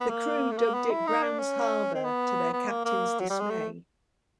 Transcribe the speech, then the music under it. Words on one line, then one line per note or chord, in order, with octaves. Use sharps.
The crew dubbed it "Brown's Harbor" to their captain's dismay.
B3
A#3
A3
A#3
B3
E4
D#4
D4
C#4
C4
B3
B3
A#3
A#3
F#3
G3
G#3
A3